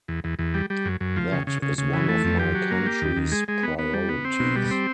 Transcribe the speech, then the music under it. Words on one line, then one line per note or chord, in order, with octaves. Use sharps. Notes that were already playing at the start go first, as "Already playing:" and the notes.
That is one of my country's priorities.
E2
E2
E2
G3
G3
F#2
F#2
F3
C#3
C#3
C#3
C#3
E3
A3
F2
G4
F#3
A#3
G4
D#2
D#2
G#3
G#3
B3
B3
G3
B3
C4
B2
G3
C4